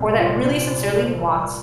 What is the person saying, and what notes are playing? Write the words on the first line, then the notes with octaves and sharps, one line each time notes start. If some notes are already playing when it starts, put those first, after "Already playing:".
or that really sincerely wants
Already playing: C2 A#2
F4
D4
C5
D5
C5
A#4